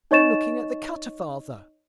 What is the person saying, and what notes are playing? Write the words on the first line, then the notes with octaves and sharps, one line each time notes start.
"Been looking at the cutter, father?"
D#4 C#5 D#5 C#6 A6 E7